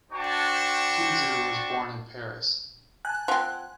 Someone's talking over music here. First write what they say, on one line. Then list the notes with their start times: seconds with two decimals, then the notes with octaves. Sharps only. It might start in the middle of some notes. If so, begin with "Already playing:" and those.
Queudrue was born in Paris.
0.12 D4 F#4 C5 G5 A5 C#6
3.05 G#5 A5 F#6
3.28 F3 C4 F#5 G#5